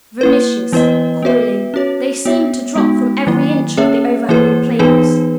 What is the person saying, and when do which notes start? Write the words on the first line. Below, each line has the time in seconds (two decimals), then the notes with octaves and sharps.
Vermiceous, coiling, they seemed to drop from every inch of the overhanging planes.
0.21 A#3 E4 B4
0.72 E3 B3 E4 B4 D#5
1.23 B3 F#4 B4 E5
1.74 C#4 F#4 C#5
2.25 B3 F#4 C#5 E5
2.75 G#3 B3 D#4 F#4
3.27 D#3 F#3 A#3 E4
3.77 A#3 C#4 G#4 C#5 E5
4.29 E3 A#3 E4 G#4 B4
4.79 E3 B3 D#4 G#4 B4